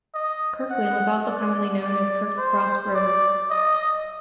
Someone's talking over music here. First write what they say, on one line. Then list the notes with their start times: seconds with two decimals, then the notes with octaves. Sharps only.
Kirklin was also commonly known as Kirk's Cross Roads.
0.14 D#5
0.70 F#5
1.26 D5
1.82 D5
2.38 C5
2.94 D5
3.50 D#5